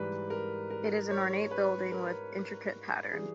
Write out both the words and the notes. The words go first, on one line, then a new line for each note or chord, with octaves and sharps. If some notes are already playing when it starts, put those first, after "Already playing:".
It is an ornate building with intricate pattern.
Already playing: G#2 E3 G3 B4
A#4
A#4
C#5
B4
A#4
E3 G3 G#4